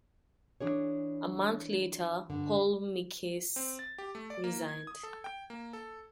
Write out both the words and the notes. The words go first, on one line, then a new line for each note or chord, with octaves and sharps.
A month later, Paul Mckess resigned.
E3 D4 G#4 C#5
G2 D3
C4
A6
G4
A3
D5
A#3
G#6
D#6
A4
G5
A#3
A4